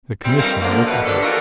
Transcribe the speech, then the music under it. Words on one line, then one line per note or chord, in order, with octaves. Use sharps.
The Commissioner looked at her.
G2 E3 G3 C4
F2 D#3 G3 C4 A#4 F5
D3 F3 A#3
B2 D#3 A3 A4 B4 D5
D3 D4 G4 A4 C5 D5
E3 F4 F#4 A4 A#4